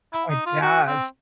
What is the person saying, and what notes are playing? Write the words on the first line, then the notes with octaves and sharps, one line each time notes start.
Oh, it does.
E4
D#4
F4
F#4
C4